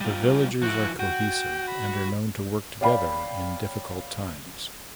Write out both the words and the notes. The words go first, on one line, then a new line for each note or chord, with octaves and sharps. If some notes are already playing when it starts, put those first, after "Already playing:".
The villagers are cohesive and are known to work together in difficult times.
G3 F4
F3 E4 F#4
F#4 G5
B5
C#5 D5 F5 G5 B5